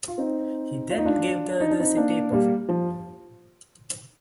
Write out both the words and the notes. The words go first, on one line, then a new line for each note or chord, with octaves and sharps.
He then gave the others a tape of it.
F4
C4 D#4
F4
D#4
D4 F4
D#4
D4
C4 D#4
A#3 D4
G3 A#3
F3